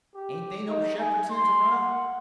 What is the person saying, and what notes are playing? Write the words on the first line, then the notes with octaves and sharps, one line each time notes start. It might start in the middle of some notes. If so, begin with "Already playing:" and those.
"Ain't they no Shepherdsons around?"
G4
D#4
G#5
C6
F#5